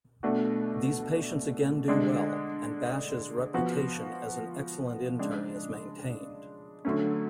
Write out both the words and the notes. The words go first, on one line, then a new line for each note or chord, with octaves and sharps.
These patients again do well, and Basch's reputation as an excellent intern is maintained.
B2 A3 D4 F#4
D3 G#3 D4
F3 B3 F#4
C#3 G#3 D4
D3 F#3 A3 C#4